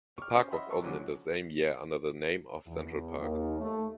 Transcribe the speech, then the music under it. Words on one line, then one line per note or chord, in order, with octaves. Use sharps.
The park was opened in the same year under the name of Central Park.
C#6 D6 F6
C#4 C5
E4 D#5 E5 F#5 B5 C6
A5 A#5 C6 C#6 E6
D3 F3 F#3 G#3 C#4 D4
E2
D#2
A3